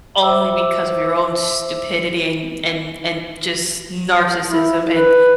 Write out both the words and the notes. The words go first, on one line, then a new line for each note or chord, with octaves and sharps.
only because of your own stupidity and and and just narcissism and
C5 E5 D6 E6
E4
B4